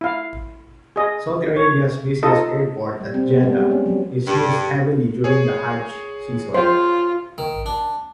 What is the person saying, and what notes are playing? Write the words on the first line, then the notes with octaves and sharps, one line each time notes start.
Saudi Arabia's busiest airport at Jeddah is used heavily during the Hajj season.
E4 F5
G#4 D#5
C#5
D#4 F4 A4 D#5
G3
C4
B3
G3
G#3
C#4
F#3
G2
G#4 C#5
F4 C5
D#3
D4